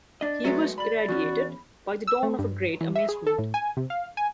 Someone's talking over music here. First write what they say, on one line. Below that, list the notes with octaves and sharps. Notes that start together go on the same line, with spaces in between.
He was irradiated by the dawn of a great amazement.
D4 D5 D#5
F#3 G#3 A3 B3 F#4
D5 B5 F#7
E2 C#4 F#4
E6
A3
G2
E3
E5
G#4
A4
A2
G#5
C3
F5
G#5